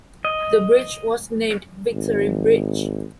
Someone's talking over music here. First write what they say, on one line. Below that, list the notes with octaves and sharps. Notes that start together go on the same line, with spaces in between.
The Bridge was named "Victory Bridge".
D#5
G#1